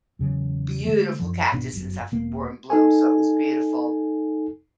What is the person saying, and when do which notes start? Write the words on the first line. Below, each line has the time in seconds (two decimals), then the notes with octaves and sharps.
beautiful cactus and stuff were in bloom so it was beautiful.
0.19 E2 C#3 F#3
0.85 D3 E3 G#3 A3
1.19 F#2 F3
1.52 G#1 B2 D#3 D4
1.73 G1 F#2
2.12 E1 A#3
2.70 D#4 A4 G#5